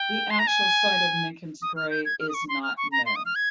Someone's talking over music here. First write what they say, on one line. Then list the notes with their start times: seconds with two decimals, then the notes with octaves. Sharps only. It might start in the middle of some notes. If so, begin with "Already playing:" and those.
The actual site of Ninken's grave is not known.
Already playing: G5
0.30 C6
0.39 A#5
0.47 G#5
1.62 D#6
1.77 F6
1.91 G6
2.05 G#6
2.20 F6
2.29 D#6
2.34 C#6
2.49 C6
2.63 F6
2.77 C#6
2.92 A#5
3.06 C6
3.16 D#6
3.26 F6
3.35 G#6